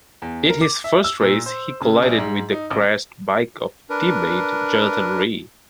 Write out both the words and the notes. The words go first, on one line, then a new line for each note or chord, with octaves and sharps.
In his first race he collided with the crashed bike of team-mate Jonathan Rea.
E2
A#4
D6
E5
E6
A#2
C5
C#3
A#1
G#2
D#4
A1
D4 A#4 B4